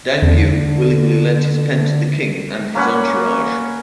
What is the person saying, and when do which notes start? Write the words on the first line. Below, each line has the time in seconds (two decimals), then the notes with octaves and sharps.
Dangeau willingly lent his pen to the king and his entourage.
0.22 E2 D3
2.75 A#3 C#4 B4 F#5